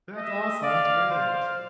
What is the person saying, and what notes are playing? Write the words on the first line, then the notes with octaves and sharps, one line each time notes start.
That's awesome. That's great.
D#5 E5
D5 F5
C5